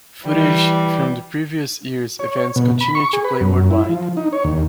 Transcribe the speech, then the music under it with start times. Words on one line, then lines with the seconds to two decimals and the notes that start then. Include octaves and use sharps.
Footage from the previous years events continued to play worldwide.
0.23 E3 G3
2.19 C#5
2.56 B2
2.81 B5
2.95 C#6
3.13 G#4
3.24 B4
3.41 F#2
3.71 E4
3.89 F3
4.17 D#4
4.33 C#5
4.44 D#2